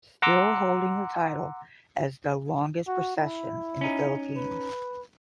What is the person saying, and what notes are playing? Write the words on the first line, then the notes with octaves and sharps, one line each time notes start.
Still, holding the title as the longest procession in the Philippines.
F#5 A#5 C6 D6 E6
F#4
E4
C#4 D#4
B4